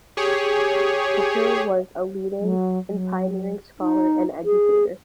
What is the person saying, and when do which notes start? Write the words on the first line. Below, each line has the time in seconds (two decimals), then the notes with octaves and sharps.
Tucker was a leading and pioneering scholar and educator.
0.17 G4 G#4 C#5
2.40 F#3
2.88 F#3
3.79 D#4
4.45 G#4